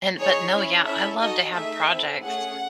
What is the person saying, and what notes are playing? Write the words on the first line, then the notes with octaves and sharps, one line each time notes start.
And but no, yeah, I love to have projects
D#4 G#4 C#5
C#4 E4 G#4
C#4 E4 A4 E5
D#4 F#4 A4 D#5
A3 D#4 G#4 E5
C4 E4 A4
A3 C#4 G#4 F#5